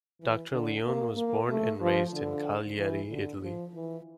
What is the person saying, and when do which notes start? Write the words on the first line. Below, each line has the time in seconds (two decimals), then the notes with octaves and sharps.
Doctor Leone was born and raised in Cagliari, Italy.
0.21 E3
0.53 D3
0.85 A#3
1.17 A#3
1.49 A3
1.82 F3
2.14 D3
2.78 E3
3.10 D3
3.42 F3
3.74 E3